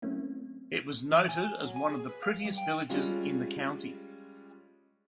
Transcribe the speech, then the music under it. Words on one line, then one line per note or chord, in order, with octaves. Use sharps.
It was noted as one of the prettiest villages in the county.
F#3 A3 A#3 C4 C#4 E4
E3
G#5
F#3
G#5
G#4
B4
F5
G3
G5
G3 G#3 C#4 F4